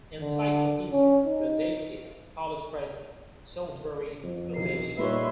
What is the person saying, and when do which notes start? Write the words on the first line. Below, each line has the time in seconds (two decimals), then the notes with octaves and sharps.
"Encyclopaedia Rhodesia", College Press, Salisbury, Rhodesia.
0.20 D3
0.92 C#4
1.26 D#4
4.24 F2
4.55 B1 E3 A#4 C7
4.98 A#2 G3 D#4 G4 B4 C#5 E5 C6